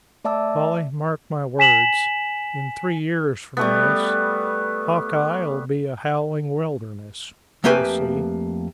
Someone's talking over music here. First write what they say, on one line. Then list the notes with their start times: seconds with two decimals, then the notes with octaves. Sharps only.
Polly, mark my words--in three years from this, Hawkeye'll be a howling wilderness. You'll see.
0.24 A3 D5 E5 A5 D6 E6
1.59 G#5 B6 E7 F#7
3.57 G3 A3 B3
7.64 F2 A3 A#3 G4 B4 G#5